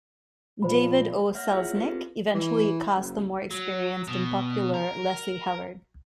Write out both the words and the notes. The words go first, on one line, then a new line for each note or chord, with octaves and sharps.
David O. Selznick eventually cast the more experienced and popular Leslie Howard.
A#2 F3 C5 B5
A#3 C#5 E5 F#5 F6 A#6
E4 F4 G#4 C#5
F4 G4 A4 B4 C5
C4
E3
F#1
F#3
B2
A#4